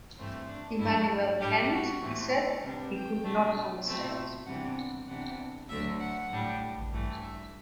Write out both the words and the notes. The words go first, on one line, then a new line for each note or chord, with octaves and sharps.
Immanuel Kant he said he could not understand.
G2 E3 A3 C4
D4
G2 F#3 A3 D4 E4
A2 G3 D4 G4
F#4
A2 E3 A3 C4
A4
C3 G3 B3 D4
G5
B2 A3 D4
B2 A3 C4
C3 E3 G3 B3 D4 F#5
F#5
C3 E3 B3 D4 F#5
D2 D3 F#3 A3 D4 E5
F#5
A2 G3 D4
G2 E3 A3
E5